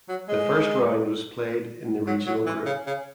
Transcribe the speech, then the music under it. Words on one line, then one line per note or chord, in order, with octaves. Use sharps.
The first round was played in the regional group.
F#3
G#3
F#3
F#3
E3
C#3
C#3